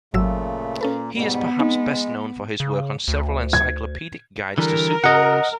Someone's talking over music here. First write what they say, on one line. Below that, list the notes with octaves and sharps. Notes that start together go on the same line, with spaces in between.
He is perhaps best known for his work on several encyclopedic guides to superheroes.
G#1 A#2 C#3 F#3 A3 E6
A#2 A#3 C#4 A4 B4
G#2 B2 G3 B3
G#3 C4 D#4
C#3
D2
G#6
D3 E3 G3 A#4
C#3 F#4 D#5 F#5